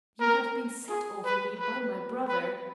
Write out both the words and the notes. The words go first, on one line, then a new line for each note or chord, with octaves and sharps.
You have been set over me by my brother.
A#4
G#4
B4
B4
B4